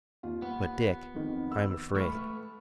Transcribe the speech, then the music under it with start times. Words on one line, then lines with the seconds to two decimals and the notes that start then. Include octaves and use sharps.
But, Dick, I'm afraid.
0.23 D#2 F4
0.42 B3
1.15 F2 D#3
1.52 E6
1.96 A3 B4 C#6 F6